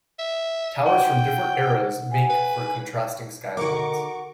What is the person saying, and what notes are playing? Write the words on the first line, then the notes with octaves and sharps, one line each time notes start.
Towers from different eras make for contrasting skylines.
E5
F#5 G5
G#5
B4
D3 D#3 F#4 A#4 C#6 D6